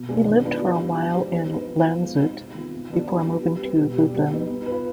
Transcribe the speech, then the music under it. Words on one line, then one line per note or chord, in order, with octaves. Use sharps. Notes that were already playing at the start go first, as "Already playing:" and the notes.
He lived for a while in Lantzut before moving to Lublin.
Already playing: B2
G#3 D4
D#3
B3 D4 F4 B4
G3
B3 F4
F3
G#3 D4 G4 C5
B3
D#4 B4
F3
B3 F4 C5
G#3
C4 D#4
C3
D#3 B3 F4
C3
D#3 B3 D4 G4
G3
B3 F4 B4
G3
C4 G4 B4
B2
G3 D4 G4
G3
B3 D#4 B4
B3
F4 B4